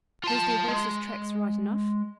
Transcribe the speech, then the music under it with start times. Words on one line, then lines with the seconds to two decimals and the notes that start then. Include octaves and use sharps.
Here's their horses' tracks right enough.
0.24 F4 A5
0.68 G#3